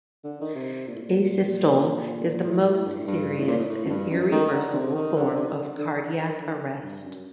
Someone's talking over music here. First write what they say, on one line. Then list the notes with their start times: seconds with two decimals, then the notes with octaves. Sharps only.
Asystole is the most serious and irreversible form of cardiac arrest.
0.24 D3
0.41 D#3
0.56 C3
0.88 A#2
0.95 A2
1.02 A#2
2.44 A2
2.64 A2
2.85 G2
2.99 A2
3.07 G2
3.38 A2
3.48 A#2
3.59 A2
3.69 A2
3.85 F#2
3.90 G2
4.11 F#2
4.32 D#3
4.53 D3
4.74 C3
4.95 D#3
5.16 D3
5.37 C3
5.50 D#3
5.58 D3
5.79 D3
6.20 D#3
6.41 D3
6.83 G2
7.03 F#2